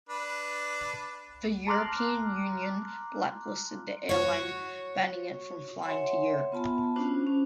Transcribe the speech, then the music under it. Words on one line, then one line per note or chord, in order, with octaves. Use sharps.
The European Union blacklisted the airline, banning it from flying to Europe.
D4 B4
A5 A#5 C6 D6 F6 F#6
F#4 C#5
C#5 E5 F#5 G#5 C6
B3 F4 A5 B5
C#4 D4 F4 F#4 C5
C#4